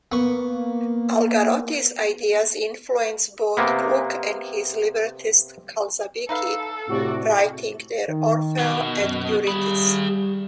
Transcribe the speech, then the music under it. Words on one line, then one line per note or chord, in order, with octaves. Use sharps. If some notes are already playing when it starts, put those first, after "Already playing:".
Algarotti's ideas influenced both Gluck and his librettist Calzabigi, writing their Orfeo ed Euridice.
A#3 B3 C#6
C3 A#3 B3
D#4 A4 B4 F5
A2 C3 F#4 D5
D#3
B2
F#2
G3 G#4 B5